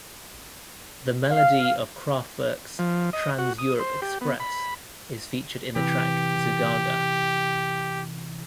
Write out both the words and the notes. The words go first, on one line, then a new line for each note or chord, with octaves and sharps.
The melody of Kraftwerk's "Trans-Europe Express" is featured in the track "Zugaga".
F5
F3
D#5
F#4
D#6
C5
G4
B3
B5
C3 E3 G4